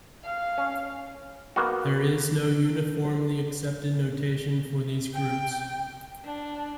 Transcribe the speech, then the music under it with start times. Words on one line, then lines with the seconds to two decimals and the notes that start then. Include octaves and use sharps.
There is no uniformly accepted notation for these groups.
0.24 F5
0.58 C#4
1.56 A#3 B3 D#4 F#4
5.12 G5
6.23 D4